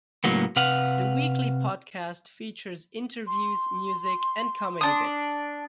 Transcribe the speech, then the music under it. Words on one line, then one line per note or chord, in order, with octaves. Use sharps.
The weekly podcast features interviews, music and comedy bits.
C#2 F#2 A2 F#3 A#3 B3
C3 B4 F5 F#5
C6
D4 D#6